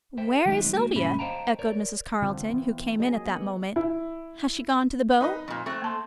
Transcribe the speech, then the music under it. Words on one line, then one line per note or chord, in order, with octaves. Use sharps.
"Where is Sylvia?" echoed Mrs. Carleton, who came in at that moment. "Has she gone to the boat?"
A4 C5 E5 G5
D#3 F#3 G#3 A3 C4 D#4
A3 A#3 F#4
G2 A#2 D3 C#4 E5 B5
C5 D#5 F5 G5 A5 A#5
A#4 C#5 D5
D3 G3 C4 F4
E3 B3
F#3 A#3 G#4 D#5
B3 F#5
E4
D#4 B4 D#5
F2 A#2
A3 C4 C#6 F#6
A#3 A5 C6